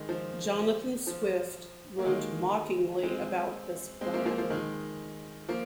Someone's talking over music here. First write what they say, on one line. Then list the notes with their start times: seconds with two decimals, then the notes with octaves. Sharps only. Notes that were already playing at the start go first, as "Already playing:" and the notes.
Jonathan Swift wrote mockingly about this plan.
Already playing: D#3 G#3
0.09 F3
1.07 F3
1.99 A#3
2.05 D#3 G#3
3.03 G#3 C4
4.01 G#3 C4
4.13 F3 A#3
4.26 F3 A#3
4.38 F3
4.50 D#3 G#3
5.49 F3 A#3